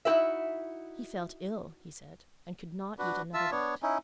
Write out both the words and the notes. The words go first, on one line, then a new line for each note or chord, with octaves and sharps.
He felt ill, he said, and could not eat another bite.
D#4 E4 F#4 G4 B4 E5
D4 F#4 B4
F4 E5 A5 E6
B3 D4 C#5
C#4 D#4 E4